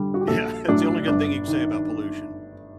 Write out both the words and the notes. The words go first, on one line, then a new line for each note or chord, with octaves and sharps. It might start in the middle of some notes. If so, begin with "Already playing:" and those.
Yeah, it's the only good thing you can say about pollution.
Already playing: D3 G3
F#4
G4
A#1 A4
A2 F#3 D4
G1 D4
D#3